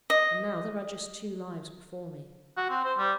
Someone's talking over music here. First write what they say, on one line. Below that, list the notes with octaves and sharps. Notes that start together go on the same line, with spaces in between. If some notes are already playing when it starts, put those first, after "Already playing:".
And now there are just two lives before me.
D#5
F#4
C4
C5
G3